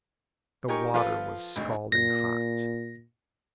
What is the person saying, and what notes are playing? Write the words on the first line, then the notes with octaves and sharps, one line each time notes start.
The water was scalding hot!
D#4 G4 A#4 G#5 C#6
F3 F4 A4 B4 F5
G#1 D2
A#2 A#6